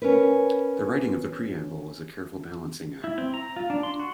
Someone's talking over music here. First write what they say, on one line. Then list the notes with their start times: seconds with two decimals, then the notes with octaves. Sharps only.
The writing of the Preamble was a careful balancing act.
0.02 C#4 A#4 B4
3.04 E4
3.18 C4
3.34 A#5
3.56 F4
3.70 D4
3.83 C6
3.99 F#4